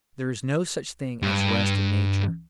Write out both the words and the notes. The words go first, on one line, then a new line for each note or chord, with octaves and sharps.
There is no such thing as rest in nature.
G2